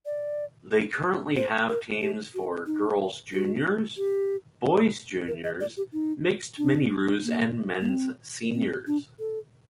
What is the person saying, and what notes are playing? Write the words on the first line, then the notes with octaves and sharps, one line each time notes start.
They currently have teams for Girl's Juniors, Boy's Juniors, Mixed MiniRoos and Men's Seniors.
D5
C5
A#4
G4
F#4
D#4
F#4
G4
A#4
D#5
D5
G4
D#4
D4
A#3
A#3
C4
C4
D4
A4